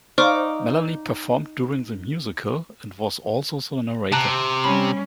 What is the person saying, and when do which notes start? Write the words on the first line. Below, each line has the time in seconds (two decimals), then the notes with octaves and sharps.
Melanie performed during the musical and was also the narrator.
0.18 D#4 C5 D5 F5 C#6 D6 F6
4.12 C3 A5 A#5 F#6
4.64 G3 C#4 B5